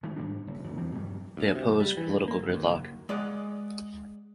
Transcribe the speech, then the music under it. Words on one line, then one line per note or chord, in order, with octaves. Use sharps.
They oppose political gridlock.
D#3 G#3 A3
G#2 G3 D4
F#1
F1 D2
E2 E3 G3 C4
G2 F#3 G3
D2
C3
F#1
G3
E3
F#2
A#3
G1
D#2
F#1
G#3 D5 D#5 F#5